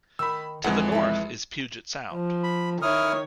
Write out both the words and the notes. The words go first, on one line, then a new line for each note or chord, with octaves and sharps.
To the north is Puget Sound.
D#3 B5 E6
F2 E3 G#3 F#5
E4 B4
F3
B5
D#3 E4 C#5 D#6 F6